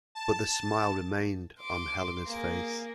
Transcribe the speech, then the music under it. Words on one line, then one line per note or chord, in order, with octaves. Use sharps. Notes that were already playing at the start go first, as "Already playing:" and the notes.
But the smile remained on Helene's face.
A5
C6 D6
A#3 G#4